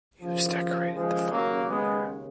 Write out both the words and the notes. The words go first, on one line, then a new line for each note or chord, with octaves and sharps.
He was decorated the following year.
D#2 C#3 F3
F3 G#3
F#3 A#3
G#3 B3